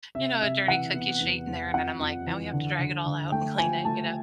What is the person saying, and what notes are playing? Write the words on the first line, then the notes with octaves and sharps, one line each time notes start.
you know, a dirty cookie sheet in there, and then I'm like, "Now we have to drag it all out and clean it," you know?
C3 E5
C3 E5
E3 F#5
B3
E2
E2
F2 F#5
F2
E3
D3
D3
D3
A3 G5
F3 G#5
A3 A5